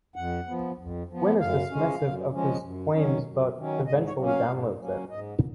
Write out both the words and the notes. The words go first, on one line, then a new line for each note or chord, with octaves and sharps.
Quinn is dismissive of his claims but eventually downloads it.
F2 F#5
F3 B3
F2
F3 B3
F#2 F5
F3 G#3 C#4
F#2
F3 G#3 C#4
F#2
D#3 F#3 C#4
F#2
D#3 F#3 C#4
G#2 D#5
C#5
F#3 A#3 C#4
F5
G#2
F#3 A#3 C#4
G#2 D#5